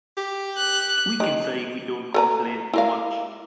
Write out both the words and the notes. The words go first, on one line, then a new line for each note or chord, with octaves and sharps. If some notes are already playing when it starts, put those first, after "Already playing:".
We can say we don’t complain for much.
G4
F#6
D#3 G4
A4 B4 A#5
E4 A#4 F5